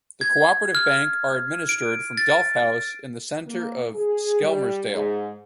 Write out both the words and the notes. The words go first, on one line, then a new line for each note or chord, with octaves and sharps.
The Co-operative Bank are administered from Delf House in the centre of Skelmersdale.
G#6
F6
D7
A6
A#3
G#4
G3
G#2